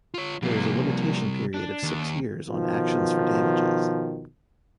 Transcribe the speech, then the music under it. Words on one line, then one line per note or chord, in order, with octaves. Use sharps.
There is a limitation period of six years on actions for damages.
F4 C#5
F2 C3 G3 A#3
D4
D#2
B2 D#3 F3